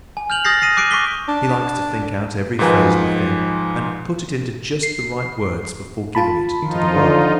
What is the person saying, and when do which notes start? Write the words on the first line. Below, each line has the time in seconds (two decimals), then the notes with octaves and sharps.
He likes to think out every phase of a thing and put it into just the right words before giving it to the world.
0.17 G#5
0.30 F6 G6 F7 F#7
0.45 D#6 F6 G6 A6 A#6 C7
0.62 A#6 C7 D#7
0.77 D6 F#6 C7 D7
0.91 C#6 D6 B6 G7
1.28 D4
2.59 G#2 D#3 F3 B4 G#5
4.83 C7
6.15 F4 A5 B5
6.62 D#3 F3 D#4 F4
6.94 D3